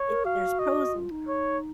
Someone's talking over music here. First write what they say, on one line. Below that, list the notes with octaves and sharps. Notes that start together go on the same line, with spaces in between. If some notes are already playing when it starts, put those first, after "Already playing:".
it there's pros and cons.
Already playing: C#5
A#4
F#4 F5
D#5
F4
D#4
C#5